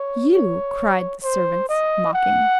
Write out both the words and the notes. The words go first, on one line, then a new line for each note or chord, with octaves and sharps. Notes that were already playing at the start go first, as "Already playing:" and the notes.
"You!" cried the servants mocking.
Already playing: C#5
C#5
C5
D#5
F#5